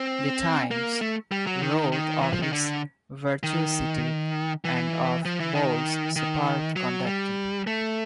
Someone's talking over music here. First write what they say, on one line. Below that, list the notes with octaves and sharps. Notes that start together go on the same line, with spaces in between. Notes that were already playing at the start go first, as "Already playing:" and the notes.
"The Times" wrote of its "virtuosity" and of Boult's "superb" conducting.
Already playing: C4
A#3
A3
G3
F#3
D#3
D#3
E3
F3
D#3
D3
D#3
E3
F3
E3
D#3
D#3
F#3
G3
A3